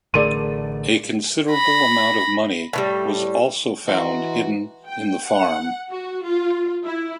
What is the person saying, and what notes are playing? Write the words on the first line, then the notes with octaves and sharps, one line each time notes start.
A considerable amount of money was also found hidden in the farm.
A1 D3 A3 G#4 A#4 D5 C6 D#7
B5 A#6
A2 D#3 G3
E3 F#4 D#5 A#5 C6
G5
F#5
F#4
F4
E4